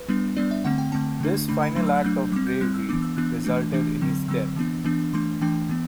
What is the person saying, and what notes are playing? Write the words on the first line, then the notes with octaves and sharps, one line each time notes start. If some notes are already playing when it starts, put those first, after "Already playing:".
This final act of bravery resulted in his death.
Already playing: B4
G3 B3 D4
G3 B3 D4 D5
E5
D3 A3 C4 F#5
G5
D3 A3 C4 A5
D3 A3 D4
D3 A3 D4 B5
B5
F#3 A3 D4 C6
E6
F#6
F#3 A3 D4 G6
G3 C4 D6
G6
G3 C4 F#6
E6
E3 B3 D4 D6
E6
E3 B3 D4 F#6
E3 A3 D4
E3 A3 D4
D3 F#3 C4
D3 F#3 C4 E6
E3 B3 D4
E3 B3 D4
E3 A3 D4 C6
E3 A3 D4 G5
E3 B3